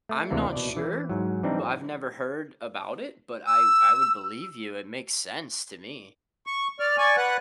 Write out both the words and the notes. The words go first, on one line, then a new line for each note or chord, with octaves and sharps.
I'm not sure, but I've never heard about it, but I I would believe you. It makes sense to me,
A3
D2 C3 E3 A#3 D4
B2 D5
E3
G#2 F#3
E3 G3 C4 D4 D#4
E6
C#6
D5 F6
D5 G#5 C#6
B4 F#5 F#6